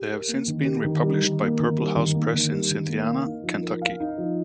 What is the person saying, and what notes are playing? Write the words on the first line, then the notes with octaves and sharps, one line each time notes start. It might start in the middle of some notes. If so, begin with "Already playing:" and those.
They have since been republished by Purple House Press in Cynthiana, Kentucky.
Already playing: G4
A#4
A#3
D#3
G4
D#3
G3
D#3
A#3
D#3
G3
D#3
A#3
D#3
G3
D#3
A#3
F5
D#4
F3
A#4
F5
D#4
F3